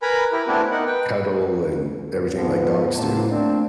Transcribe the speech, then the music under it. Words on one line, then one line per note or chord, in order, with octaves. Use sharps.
cuddle, and everything like dogs do.
A#4 B4 G#5 A#5 B5
E4 G4 A#4
A3 B3 C4 D4 E4 F#4
D#4 A#4 F#5
B4 G5
G#2 F3 B3
A2 F#3 A#3 C4 E4 A5
A3 A#3 C4 D4